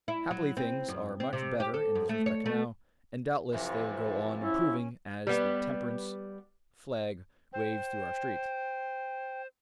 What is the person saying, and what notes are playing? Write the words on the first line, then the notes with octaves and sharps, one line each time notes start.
Happily things are much better in this respect now, and doubtless they will go on improving as the Temperance flag waves through our streets.
E4
F#3
C4
F#2
C4
C3
G4
A4
F#2
A3
C#5
A3
F2 C3 E3
C#4 E4
G3 B3
C5 G5